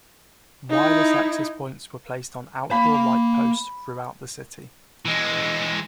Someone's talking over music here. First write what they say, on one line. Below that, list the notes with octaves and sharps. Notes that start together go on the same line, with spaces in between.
Wireless access points were placed on outdoor light posts throughout the city.
D#4 E4
A#3 F5 B5
E3 G#3